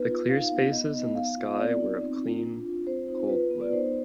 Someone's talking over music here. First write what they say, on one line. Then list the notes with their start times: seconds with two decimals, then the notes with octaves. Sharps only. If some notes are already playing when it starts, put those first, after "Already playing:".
The clear spaces in the sky were of clean, cold blue.
Already playing: B3 D#4 B4
0.08 F4
0.29 D#4 F5
0.51 B3
0.72 B3 D#5
0.94 D#4
1.15 B3 F5
1.37 F4
1.58 C4 D5
1.80 D#4
2.01 C4
2.22 F4
2.44 D4
2.65 F4
2.87 C4 C5
3.08 D#4
3.29 F4 B4
3.51 B3
3.61 D5
3.72 D#4 C5